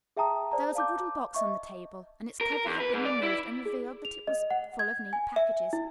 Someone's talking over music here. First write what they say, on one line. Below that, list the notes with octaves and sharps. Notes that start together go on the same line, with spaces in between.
There was a wooden box on the table and its cover had been removed and revealed that it was full of neat packages.
G#4 E5 G5 A5 A#5 D#6
C5 D5 A5 A#5
F5 A5 D6 G6
D#5 E5 C#6
A#4
A#4
E2
B4
G#2
D5
E4
G#4
F7
D#5
F#5
G#6
G#5
E5
E4